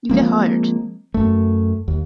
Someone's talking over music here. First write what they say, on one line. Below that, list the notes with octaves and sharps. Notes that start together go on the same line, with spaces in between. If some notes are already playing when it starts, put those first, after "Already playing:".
You get hired.
F3 G#3 A#3 C4
F#2 A3
D#2